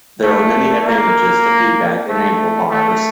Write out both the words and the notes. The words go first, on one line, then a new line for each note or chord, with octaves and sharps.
There are many advantages to feedback in amplifiers.
A3
A#3
A3
A3